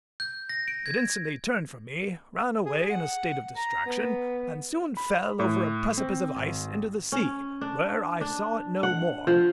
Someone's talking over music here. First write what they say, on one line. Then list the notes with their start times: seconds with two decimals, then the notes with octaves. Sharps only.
It instantly turned from me, ran away in a state of distraction, and soon fell over a precipice of ice into the sea, where I saw it no more.
0.20 G6
0.49 A#6
0.68 D7
0.86 G#6
2.66 G#4
2.90 F#5
3.56 A#5
3.86 B3
4.97 B5
5.40 A2
5.98 C4
6.36 G#1
7.12 C#4
7.61 D4
8.21 D4
8.83 F#5
9.27 F3